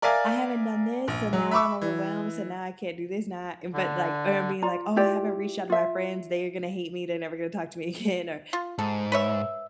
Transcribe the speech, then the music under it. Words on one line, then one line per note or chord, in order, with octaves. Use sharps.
"I haven't done this, so, now I'm overwhelmed, so, now I can't do this now" But, like, er, I'm being, like, "Oh I haven't reached out to my friends, they are gonna hate me, they're never gonna talk to me again," or,
A#4 D5 E5 F5 G#5 A6
A#1
F#3
E5 B5 C#6 D6 E6
E3
D3
F4 D5 A#5
E4 F4 G4 D5
F4 E5
F4
G#2 A4
B4 C#5 E5